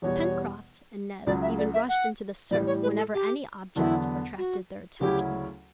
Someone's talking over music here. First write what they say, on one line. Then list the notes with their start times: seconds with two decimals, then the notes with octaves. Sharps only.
Pencroft and Neb even rushed into the surf whenever any object attracted their attention.
0.02 E2 B2 G3 C#5
1.26 C#2 C#3 F#3 D5
1.42 E5
1.58 D5
1.74 E5
1.89 F#5
2.51 A2 E3 G3 D5
2.67 C#5
2.83 B4
2.97 A4
3.14 G4
3.75 E2 D3 F#3 B3 E4
4.38 F#4
5.00 D2 C#3 F#3 C#4 E4 G4